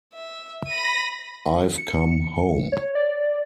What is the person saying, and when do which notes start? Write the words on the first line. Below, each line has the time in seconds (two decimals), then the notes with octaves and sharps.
I've come home.
0.13 E5
0.67 B5 A#6 D#7
1.78 C#7
2.72 C#5
2.95 D5